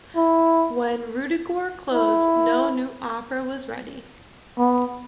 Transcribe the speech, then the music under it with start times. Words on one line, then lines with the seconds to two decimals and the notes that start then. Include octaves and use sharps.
When "Ruddigore" closed, no new opera was ready.
0.16 E4
1.93 E4
4.58 B3